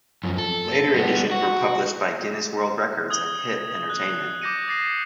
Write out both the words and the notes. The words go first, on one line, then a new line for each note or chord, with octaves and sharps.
Later editions were published by Guinness World Records and HiT Entertainment.
F#2 F3
A4
G3 B3
F#4
D#6 G#6 G7
F#6
D6 G6 A#6 C#7 D#7
D#6 A6 A#6 C7 D#7